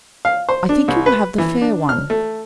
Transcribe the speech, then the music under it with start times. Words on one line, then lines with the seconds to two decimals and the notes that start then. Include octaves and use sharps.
I think you will have the fair one.
0.25 F5
0.49 C5
0.69 D4
0.88 C2
1.06 B4
1.38 E3
1.61 D4
1.89 F6
2.10 A3